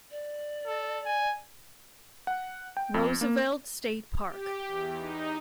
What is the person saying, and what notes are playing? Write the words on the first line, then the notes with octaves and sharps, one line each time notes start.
Roosevelt State Park.
D5
A4
G#5
F#5
G5
F2
A#3
G4
E2
D#4